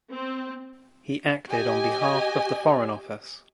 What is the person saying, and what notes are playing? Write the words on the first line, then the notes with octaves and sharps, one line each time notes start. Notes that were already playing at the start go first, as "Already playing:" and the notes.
He acted on behalf of the Foreign Office.
C4
G4 D#5 G#5